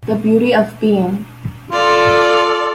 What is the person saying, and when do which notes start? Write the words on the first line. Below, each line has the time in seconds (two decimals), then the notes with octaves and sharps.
The beauty of being.
1.72 F4 A4 D5